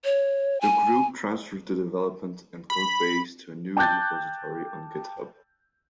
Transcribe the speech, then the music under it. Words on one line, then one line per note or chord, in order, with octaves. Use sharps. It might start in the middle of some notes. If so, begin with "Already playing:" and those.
The group transferred the development and codebase to a new repository on GitHub.
C#5
G#5
B5
G5 A5 D6 F#6 G6 A6